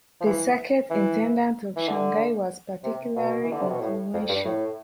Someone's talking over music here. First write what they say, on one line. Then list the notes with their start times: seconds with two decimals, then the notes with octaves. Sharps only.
The circuit intendant of Shanghai was particularly influential.
0.21 F3
0.26 E3
0.90 E3
1.76 E3
1.88 D3
2.84 C3
3.16 B2
3.43 E3
3.52 D3
3.62 C3
3.71 B2
3.80 A2
4.14 F2
4.29 G2
4.45 A2